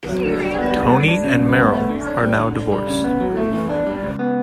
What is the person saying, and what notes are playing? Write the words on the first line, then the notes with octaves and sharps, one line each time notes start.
Toni and Merril are now divorced.
F#3
D3
G3
B3
G2
G2
D4
C#3
G2
B3
A3
D3
D4
G3
D3
D3
G3
C#3
B3
F#3
A3
E3
D4
G3
C#2
B3